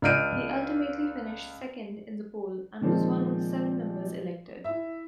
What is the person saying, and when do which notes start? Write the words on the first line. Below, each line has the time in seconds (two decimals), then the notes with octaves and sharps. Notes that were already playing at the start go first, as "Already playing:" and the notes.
He ultimately finished second in the poll and was one of seven members elected.
0.02 C#2 D5 F6 G6 D7 D#7
2.81 A#2 D#3 F3 G#3 C4
4.64 E4 E5